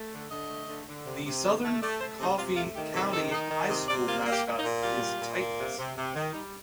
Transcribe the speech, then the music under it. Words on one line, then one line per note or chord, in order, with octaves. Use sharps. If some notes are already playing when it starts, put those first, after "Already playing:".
The Southern Coffey County High School mascot is Titans.
Already playing: A3
D3
D3 D#5
A3
D3
D3
C3
C3
D#3
A3
A3 D5
A3 C5
C3 D#4
C3 F4
A3 F4
D#3 G4
C3 A4
D#3 A4
D#4 D#5
D#3
C3 D#5
C3 D5
A#3 F4
A#3
G4
A#3
D#4
A#2
G3 F4
A#2
A#2
A#3
C3
C3
C3
D#3
G3 D#4